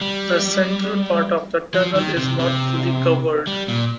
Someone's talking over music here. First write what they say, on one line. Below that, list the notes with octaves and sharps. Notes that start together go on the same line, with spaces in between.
The central part of the tunnel is not fully covered.
G3
F3
D#3
C3
C3
G3
A#2